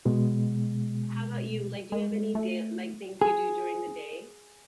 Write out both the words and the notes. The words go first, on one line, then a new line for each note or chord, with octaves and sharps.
How about you? Like, do you have any da like, things you do during the day?
B2 G#3
G#3
A3
G#4